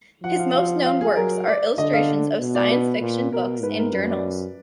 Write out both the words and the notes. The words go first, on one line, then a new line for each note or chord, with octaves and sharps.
His most known works are illustrations of science fiction books and journals.
F3 F#5
F5
F5
F5
G#4
F#3 A#4
D5
D3 D#5
F5
B2
D5
B4
A#2
B2 A#4
G#2 B4
A#4
F#2 B4
D5